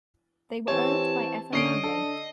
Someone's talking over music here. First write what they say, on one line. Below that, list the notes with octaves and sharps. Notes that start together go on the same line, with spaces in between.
They were owned by Effa Manley.
E3 C4 G4 C#5 A5
D3 C#4 D#5 C7 D7
D4 A4